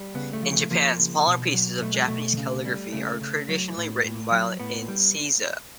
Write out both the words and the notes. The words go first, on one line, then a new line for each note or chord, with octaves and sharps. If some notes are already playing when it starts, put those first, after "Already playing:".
In Japan, smaller pieces of Japanese calligraphy are traditionally written while in seiza.
Already playing: G3
C#3 B3
A3
F3
A3
F3 A#3
C#3
B2
F#3
B2 A3
G#3
B2 A3
C#3
G3
C#3 A3
C#3
F#3
A2
A2
F#3
A2 B3
G3